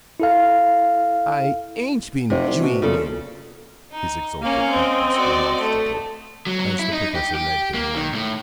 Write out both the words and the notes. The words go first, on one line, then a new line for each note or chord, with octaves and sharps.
"I ain't been dreaming!" his Exalted Fatness remonstrated, as the Professor led him away.
E4 A4 F5
F1 C3
C2
B2
A#2 C#3 A4
D#4
A#3 C#4 F5
C4 D#5
F#4 D5
A3
F#3
F#3
E4
D#4
G4
G4
A#3
D#3
A2